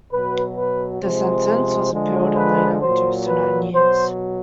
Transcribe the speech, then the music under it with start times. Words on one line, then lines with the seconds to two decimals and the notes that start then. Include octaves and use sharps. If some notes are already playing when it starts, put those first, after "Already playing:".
The sentence was appealed and later reduced to nine years.
0.12 B2 F#3 B4
0.56 B4
1.02 C3 F3 G#3 C5
1.92 D3 F3 G#3
2.37 B4
2.82 A#2 F#3 C5
3.27 B4
3.72 B2 F#3 C5